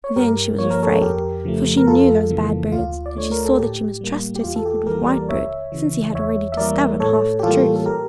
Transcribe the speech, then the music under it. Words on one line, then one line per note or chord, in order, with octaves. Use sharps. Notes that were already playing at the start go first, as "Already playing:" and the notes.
Then she was afraid, for she knew those bad birds; and she saw that she must trust her secret with Whitebird, since he had already discovered half the truth.
C#5
G2 G4 A#4
F3 A#3 C#5
A#4
A4 C#5
F2 G4 A#4
C#3 F3 A3
A#4
F2 F4 A4
C#3 E3 A#3
D2 F4
D5
D3 A3 C#5
A#4
A4
A2 G4
G3 A#3
G4
E2 F4
A4
G4
E3 G3 A#3 G4 A#4
A#4 D5
C#2 C#5 E5
C#3 E3
E2 C#5 E5
E5
E3 G3 A#3 A#4 D5
A2 A4 C#5
G4
E3 G3 A#3 F4 A4
A4
G4 A#4